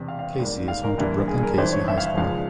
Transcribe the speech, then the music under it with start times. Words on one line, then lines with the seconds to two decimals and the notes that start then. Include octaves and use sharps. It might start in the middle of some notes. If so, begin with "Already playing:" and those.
Cayce is home to Brookland-Cayce High School.
Already playing: E1 E2 C3
0.08 F5
0.19 F5
0.39 G#1 G#2 G3 A#3
0.68 F5
0.84 A#4
0.98 G1 G2 E3 A#3
1.28 G#4
1.38 G#4
1.43 A#4
1.58 G#1 G2 E3 C5
1.73 C#5
1.88 E5
1.97 F5
2.07 E5
2.17 C#2 C#3 F3 G#3 F5